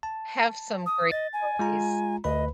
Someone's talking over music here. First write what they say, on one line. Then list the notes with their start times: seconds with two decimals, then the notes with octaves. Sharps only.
have some great holidays,
0.03 A5
0.86 D#6
1.12 D#5 A6
1.33 G#5
1.59 G#3 F4 A#5
2.24 D2 B4 D#5 B5